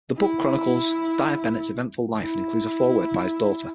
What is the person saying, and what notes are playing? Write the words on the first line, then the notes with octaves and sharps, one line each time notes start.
The book chronicles Dyer-Bennet's eventful life and includes a foreword by his daughter.
E4
E4